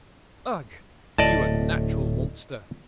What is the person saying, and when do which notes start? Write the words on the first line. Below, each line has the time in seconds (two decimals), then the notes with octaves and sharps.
'Ugh! you unnatural monster.'
1.18 D1 A2 D5 D#5 A5